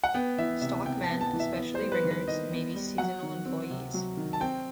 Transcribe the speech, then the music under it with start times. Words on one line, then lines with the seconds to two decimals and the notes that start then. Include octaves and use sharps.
Stockmen, especially ringers, may be seasonal employees.
0.04 F#5
0.14 B3 G5
0.38 E3 E5
0.62 C3 E5
0.86 C3 G5
1.03 A5
1.09 B3
1.21 A5
1.33 E3
1.40 E5
1.57 B3
1.75 C5
1.81 G3
1.92 B4
2.04 D#3
2.11 B4
2.28 D#3 D#5
2.52 B3
2.75 G3
2.98 F#3 F#5
3.23 D#3
3.46 C4
3.70 C3
3.94 F#3
4.17 D#3
4.33 A5
4.41 C4 G5